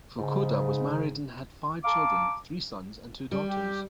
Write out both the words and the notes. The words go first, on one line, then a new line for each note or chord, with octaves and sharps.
Fukuda was married and had five children: three sons and two daughters.
G#2 C#3
F5 A5 A#5 D6
G3
G4